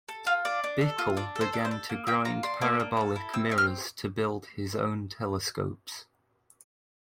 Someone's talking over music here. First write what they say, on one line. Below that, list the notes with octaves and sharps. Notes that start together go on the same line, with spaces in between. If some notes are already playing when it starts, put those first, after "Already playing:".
Bickel began to grind parabolic mirrors to build his own telescopes.
A4
F4 F5
D4 D5
D4
A4
F4
D4 D5
A4
C5
D4
C5
A4
A#3
A#3 G5
F4 A#5
D4 C6
A#3
A#3
A4
E4
C4 E6
C4
F6